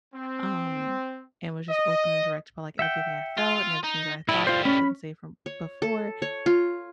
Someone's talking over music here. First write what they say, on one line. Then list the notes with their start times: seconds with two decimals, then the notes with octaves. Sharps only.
um, and was just open, and direct about, like, everything I felt and everything that I thought that I couldn't say from before,
0.14 C4
1.69 D#5
2.79 E5 F#5 G5
3.37 F4
3.83 D#4
4.29 A2 G3 E4
4.47 F4 C5
4.65 C#4 B5
5.46 C#5
5.82 A4
6.22 C#5
6.46 F4